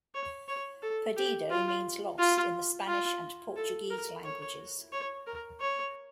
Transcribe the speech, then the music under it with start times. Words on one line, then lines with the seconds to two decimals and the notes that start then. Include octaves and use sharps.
"Perdido" means "lost" in the Spanish and Portuguese languages.
0.15 C#5
0.48 C#5
0.82 A4
1.17 G4
1.50 F4
2.19 F4
2.87 F4
3.56 A4
3.90 A#4
4.24 C#5
4.92 C#5
5.27 A#4
5.61 C#5